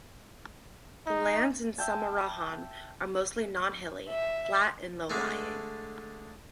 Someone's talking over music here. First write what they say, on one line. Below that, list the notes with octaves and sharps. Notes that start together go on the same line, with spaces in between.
The lands in Samarahan are mostly non-hilly, flat and low-lying.
D#4
E5 G5 A5
E5
D3 G#3 A3